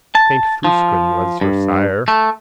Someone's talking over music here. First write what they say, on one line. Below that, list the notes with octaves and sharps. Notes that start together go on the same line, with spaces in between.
Saint Frusquin was her sire.
A5
F3
G2
A3